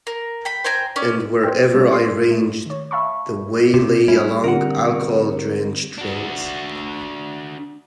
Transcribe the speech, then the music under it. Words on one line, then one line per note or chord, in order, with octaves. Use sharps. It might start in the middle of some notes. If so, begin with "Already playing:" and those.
And wherever I ranged, the way lay along alcohol-drenched roads.
A#4
G5 B5
C5 G5 G#5 A#5
C#4 D5
C5 G5
G3 A3 A#3 C#4 D4
C6 C7
A3
D#3 C#5
E5 F5 A5 B5 C#6
C3
G3 C#4 D#4 E4 G4
D3 C4 D4 A#4 F#5
D4 F#4